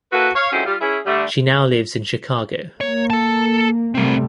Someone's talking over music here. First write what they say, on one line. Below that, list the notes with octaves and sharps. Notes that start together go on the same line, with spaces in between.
She now lives in Chicago.
A#3 E4 F#4 A4 B4
C#5 F5
F2 G#2 F#3 C4 C#4 E4
G3 F4
C#4 E4 G#4
D3 G3 A3
A#3 C#5
A4 A5
C3 G3 A3 C4 A#4